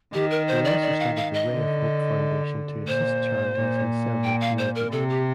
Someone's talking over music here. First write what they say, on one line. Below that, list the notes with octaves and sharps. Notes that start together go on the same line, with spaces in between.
He also started the "Ray of Hope" Foundation to assist charities in several communities.
D#3 G4
A#4
C5
D5
D5
F5
F5
D#5
D3
A#2 C5
A#2
G5
F5
C5
A#4
C3 A4
G4